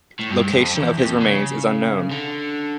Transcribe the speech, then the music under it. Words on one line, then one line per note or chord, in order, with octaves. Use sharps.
Location of his remains is unknown.
A2
G2
F2
E2
F2
C#3
D3